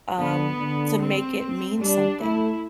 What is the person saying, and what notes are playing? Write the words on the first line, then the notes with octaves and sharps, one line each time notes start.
um, to make it mean something.
D3 B3
D3
C4
G3 D4
A3 E4